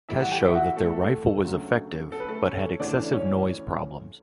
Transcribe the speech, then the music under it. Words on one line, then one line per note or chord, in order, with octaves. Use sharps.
Tests showed that their rifle was effective, but had excessive noise problems.
A2 E3 G3 E4 E5
F#5
G4 G5
E5
F#4 F#5
A3 A4
D2 C#3 F#3 A3
A4
B4
A3 A4
C#4 C#5
D2 C#3 E3 A3 D4 D5
C#4 C#5